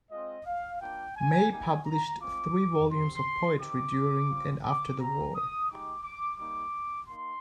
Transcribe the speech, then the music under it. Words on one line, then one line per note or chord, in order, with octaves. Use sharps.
May published three volumes of poetry during and after the war.
G#3 C4 F4 D#5
F5
A#3 D4 F4 G5
G#5
G3 A#3 D#4 G4 G#5
A#5
G#3 C4 F4 D6
C4 G4 C6
C4 D#4 G4 D6
G3 C4 F4
D6
C4 G4 A#5
D#6
G#3 D#4 G4 D6
D6
G3 A#3 D#4 D6
A#3 D#4 C6